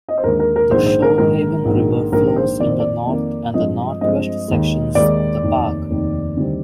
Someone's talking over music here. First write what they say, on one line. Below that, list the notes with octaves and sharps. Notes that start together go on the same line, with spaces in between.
The Shoalhaven River flows in the north and northwest sections of the park.
D#5
C5
D#2 D3 G#3 A#4
A#4
A#4
A#1 G#2 D#3 G#3 C5
C5
A#4
A#1 G#2 D#3 G#3 A#4
A#1 G#2 D#3
A#1 G#2 D#3 A#4
C5
F2 D#3 A#3 D5
C5
D5
F2 D#3 A#3
G2 F3 G#3 C4 D#5
G2 F3 G#3 C4 D#5
D#2 D#3 G#3
D#2 D#3 G#3 D5
F1 D#2 D#3
F1 D#2 D#3
D2 C3 D#3 G3 C4